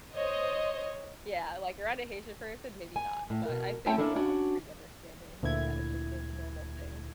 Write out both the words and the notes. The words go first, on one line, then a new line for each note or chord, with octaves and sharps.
Yeah, like, around a Haitian person, maybe not, but I think we're all pretty understanding that it's just the normal thing.
C5 C#5 D#5
G#5
A2
B2 A#4
A3 C4 C#4 E4 G5 A5
A#3 C#4 D4 E4 A4
C#4 D4 F#4
D2 A#2 E4 G#6